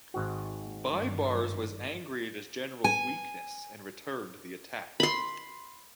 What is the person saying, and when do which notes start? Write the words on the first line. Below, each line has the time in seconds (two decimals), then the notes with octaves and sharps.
Baibars was angry at his generals' weakness, and returned to the attack.
0.14 G#1 G#2 F#4
0.92 G2
2.84 G#5
5.00 B5 C6